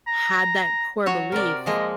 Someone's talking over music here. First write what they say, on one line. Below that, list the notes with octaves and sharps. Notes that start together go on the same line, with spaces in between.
had that core belief,
A#5
F#3 F#4 C#5
C3 A#4 D5
F3 G#3 A#3 D#5